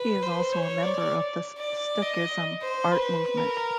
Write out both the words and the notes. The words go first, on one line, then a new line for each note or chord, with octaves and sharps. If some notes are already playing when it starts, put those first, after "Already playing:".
He is also a member of the Stuckism art movement.
Already playing: B4
C5
C#5
D5
D5
D#5
C5
B4
A#4